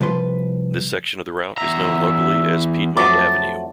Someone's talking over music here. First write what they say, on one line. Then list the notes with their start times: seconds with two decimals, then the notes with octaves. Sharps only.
This section of the route is known locally as "Piedmont Avenue".
0.01 C2 F3 B4 C6
1.58 E2 E5 A#5
2.97 F2 F#3 A3 A5 D6